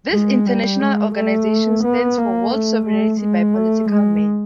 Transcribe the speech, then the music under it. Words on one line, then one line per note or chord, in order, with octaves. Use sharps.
This international organization stands for world sovereignty by political men.
G#3
G3
G#3
A3
B3
A#3
A3
A3
G#3
A3
G#3